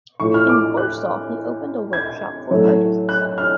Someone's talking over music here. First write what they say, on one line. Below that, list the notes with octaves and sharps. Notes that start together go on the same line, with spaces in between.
In Warsaw he opened a workshop for artists.
A2 F3 A3 C#6
F6
D6
F#6
G#6
A2 F#3 A3
F#6
F6